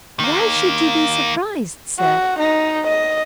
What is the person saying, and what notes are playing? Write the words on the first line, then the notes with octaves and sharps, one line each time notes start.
"Why should you be surprised, sir?"
D#3 A#3
F#4
D#4
D#5